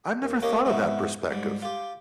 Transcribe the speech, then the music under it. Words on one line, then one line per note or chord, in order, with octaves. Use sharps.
I've never thought of that perspective.
D#2
A#3 C#4 G4 C#5 D#5
G#2 C3 B3 C#4 E4
G#2 G3
F4 G4